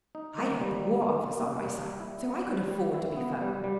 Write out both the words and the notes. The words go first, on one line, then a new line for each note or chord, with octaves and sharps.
I had the War Office on my side, so I could afford to be firm.
D#4
A#3
G3
G3
D#4
A#3
G3
G3
E4
B3
G3
G3
E4
B3
G3
G3